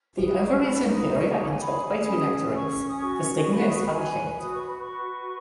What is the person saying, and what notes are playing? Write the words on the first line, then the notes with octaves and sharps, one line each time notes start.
The ovary is inferior and topped by two nectaries, the stigma is funnel-shaped.
B4 D#6
C#6
D#4 B5
D#6
C#5 C#6
D#5
F#5
G#5
G#4 B5
C#4 D#6
C#4 C#6
D#6
F#4 C#6
B4
D#6
C#6
B5
B4 G#5
F#4 D#6
C#6
B5
C#6
B4